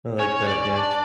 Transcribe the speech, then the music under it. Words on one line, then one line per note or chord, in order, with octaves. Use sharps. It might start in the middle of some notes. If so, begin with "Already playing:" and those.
I like that, yeah.
C#4 C#5
D5
C#4
D4